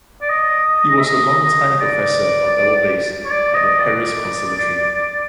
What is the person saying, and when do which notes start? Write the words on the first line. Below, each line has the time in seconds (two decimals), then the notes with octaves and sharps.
He was a longtime professor of double bass at the Paris Conservatory.
0.21 D5
0.30 D#5
0.99 E5
1.05 D#5
1.42 D#5
1.80 D5
3.25 C#5
3.30 D5
3.55 D#5
3.80 D5